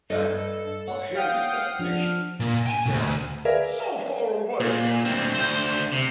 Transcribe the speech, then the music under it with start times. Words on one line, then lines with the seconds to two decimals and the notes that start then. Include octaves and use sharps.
Then, on hearing his destination, she said, "So far away!"
0.10 G2 A4 D5 D#5
0.88 C#5 F#5
1.15 F5 G5 D#6
1.79 F3 D4 F6
2.40 A#2
2.66 G5 G#5
2.86 D2 B2
3.45 G#4 A#4 B4 D5 E5 F5
4.60 A#2
5.05 D2 C4
5.35 D2 C5
5.92 C3